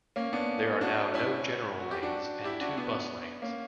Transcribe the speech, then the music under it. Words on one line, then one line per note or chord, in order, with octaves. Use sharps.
There are now no general lanes, and two bus lanes.
A#3 C#4
B3 D4
D4 F#4
C#4 E4
F#4
G4
D4 F#4
E4 G4
D4 F#4
B3 D4
A#3 C#4